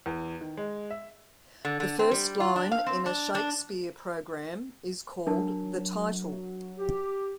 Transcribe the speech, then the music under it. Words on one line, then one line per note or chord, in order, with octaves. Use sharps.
The first line in a Shakespeare program is called the 'title'.
E2
D#3
G#3
E5
D3
D3
C4
G3
F4
D4
F5
C4
D4
D4
F#3 D4 A#4 A5
G4